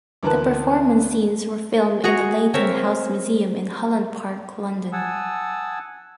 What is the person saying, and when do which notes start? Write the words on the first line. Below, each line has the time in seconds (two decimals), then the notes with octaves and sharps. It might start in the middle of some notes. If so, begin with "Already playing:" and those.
The performance scenes were filmed in the Leighton House Museum in Holland Park, London.
0.23 D2 E3 A#4 B4 A5 F#6
2.04 F#4 G#4 A#5 C#6
2.54 C4 A#4 C#5 E5
4.93 F#5 G#5 A5 D#6 E6